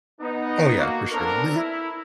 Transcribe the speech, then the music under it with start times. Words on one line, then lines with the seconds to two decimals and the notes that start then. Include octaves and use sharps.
Oh, yeah, for sure. The
0.21 B3 D#4
0.78 A#3 F#4
1.12 B3 C4 D4 A4 A#4
1.55 E4